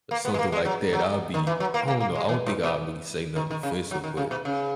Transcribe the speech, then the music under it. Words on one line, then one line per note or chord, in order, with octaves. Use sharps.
or something like that, I'll be I don't know, I don't think I'd really say nothing offensive, but
A#3
B3
G#3
A#3
G#3
F#3
F#3
D#3
E3
F#3
A#3
A#3
A#3
G#3
E3
G#2
B2
D#3
D#3
C#3
F#3
D#3
C#3
B2
C#3